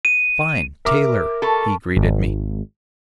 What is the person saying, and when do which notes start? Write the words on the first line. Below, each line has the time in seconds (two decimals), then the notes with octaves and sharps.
"Fine, Taylor!" he greeted me.
0.05 D#7
0.85 A#4 E5 D6
1.42 A4 A5 B5 C#6
1.97 G#1